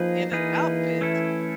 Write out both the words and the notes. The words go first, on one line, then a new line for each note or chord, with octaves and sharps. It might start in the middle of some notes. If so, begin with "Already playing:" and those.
in an outfit
Already playing: F3 A#3 D#4 G#4 B4
E3 A#3 D#4 G#4 B4
A3 C#4 E4 A4